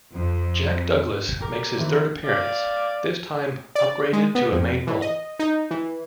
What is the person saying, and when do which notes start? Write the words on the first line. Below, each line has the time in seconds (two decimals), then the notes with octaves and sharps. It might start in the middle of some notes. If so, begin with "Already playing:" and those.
Jack Douglas makes his third appearance, this time upgraded to a main role.
0.13 F2
1.41 G4 A#4 D6
1.78 D#3 E3 C4
2.25 D5 F5
3.75 D5
4.13 G#3
4.35 B3
4.52 F2
4.87 E3
5.02 D#5
5.39 D#4
5.71 E3